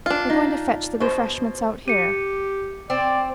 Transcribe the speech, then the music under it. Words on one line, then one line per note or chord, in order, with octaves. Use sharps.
"They're going to fetch the refreshments out here."
D4 F4
D#4
B2 C5
G4 C#7 D#7
C4 D5